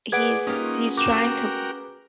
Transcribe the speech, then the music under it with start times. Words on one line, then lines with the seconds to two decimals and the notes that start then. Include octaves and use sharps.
he's he's trying to
0.12 G#4 B4 D5 F#5 G#6 D7
0.47 A#3 C#4 D#4 F4 G4
0.97 F#4 A#4 G5 D6 E7